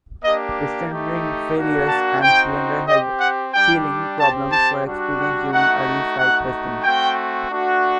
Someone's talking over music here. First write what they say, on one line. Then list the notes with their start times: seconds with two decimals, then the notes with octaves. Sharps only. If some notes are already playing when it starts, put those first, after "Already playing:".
Piston ring failures and cylinder head sealing problems were experienced during early flight testing.
0.24 A#3 D4 G4 D#5
0.89 A3 D#4 G4
1.56 A#3 D4 F#4
1.88 A5
2.21 C4 D#4 F#4 G5
2.87 C4 G4 D#5
3.20 F#5
3.54 G3 D4 G4 G5
4.20 C4 G4 A5
4.52 A5
4.86 G3 D4 F#4
5.19 F#5
5.52 A3 D#4 F#4 F#5
6.18 A3 D#4 F#4 F#5
6.83 A3 C4 F#4 G5
7.50 A3 D4 F#4